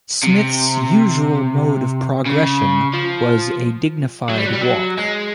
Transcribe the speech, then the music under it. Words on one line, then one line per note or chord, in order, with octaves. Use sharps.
Smith's usual mode of progression was a dignified walk.
C3
C#3
F3
F#3
G3
F#3
G3
F#3
G#3